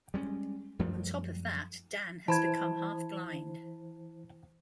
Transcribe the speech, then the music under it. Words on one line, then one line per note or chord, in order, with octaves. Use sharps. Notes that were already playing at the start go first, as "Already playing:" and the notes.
On top of that, Dan has become half-blind.
G3 G#3 C4 C#4
F#2 F3 G3 A3
E3 E4 C5 A5 B5 G#6